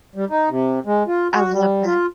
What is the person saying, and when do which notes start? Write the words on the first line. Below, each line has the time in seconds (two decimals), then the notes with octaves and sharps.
I love that.
0.16 G3
0.30 D#4
0.49 C3
0.86 G#3
1.07 F4
1.33 F#4
1.52 G3
1.86 F4